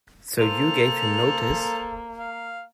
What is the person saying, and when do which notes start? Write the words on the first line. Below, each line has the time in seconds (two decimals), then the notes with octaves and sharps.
So you gave him notice?
0.39 A#3 A4 C5 F7
2.19 F5